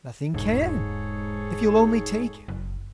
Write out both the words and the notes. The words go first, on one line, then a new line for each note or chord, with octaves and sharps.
"Nothing CAN--if you'll only take it..."
E1 G#2 G#4 A4 C#5
F#1